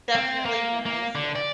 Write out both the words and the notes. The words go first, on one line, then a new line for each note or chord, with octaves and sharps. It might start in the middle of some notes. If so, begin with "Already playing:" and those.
Definitely nice, yeah.
C4
A#3
A#3
D3
D5